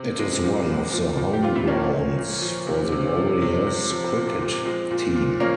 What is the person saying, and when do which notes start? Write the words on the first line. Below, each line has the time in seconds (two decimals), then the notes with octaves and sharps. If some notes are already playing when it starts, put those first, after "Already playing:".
It is one of the home grounds for the Warriors cricket team.
Already playing: C3
0.18 F3 G#3
0.43 A#2
0.69 A#2
0.93 F3
1.18 A#2
1.33 G4
1.43 A#2 F4
1.56 E4
1.68 F3 A#3 C#4
1.93 A#2
2.18 A#2
2.42 F3
2.67 C3
2.92 C3
3.16 F3
3.42 C3
3.67 C3
3.91 F3
4.16 A#2
4.41 A#2
4.65 F3 G#3 C4
4.91 A#2
5.16 A#2
5.40 F3 A#3 C#4